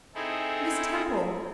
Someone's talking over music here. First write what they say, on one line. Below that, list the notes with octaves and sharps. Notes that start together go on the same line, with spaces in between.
Miss Temple!
C4 D#4 E4 G#4 A4